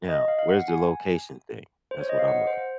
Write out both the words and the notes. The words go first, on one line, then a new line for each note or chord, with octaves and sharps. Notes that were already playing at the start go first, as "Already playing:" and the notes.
Yeah, where's the location thing? That's what I'm looking
D#5
F5
F5
F#5
G#5
C5
C#5
D#5
F5
F#5
C5